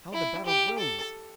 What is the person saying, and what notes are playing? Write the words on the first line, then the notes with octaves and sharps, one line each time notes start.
How the battle grows!
E4
G4
A4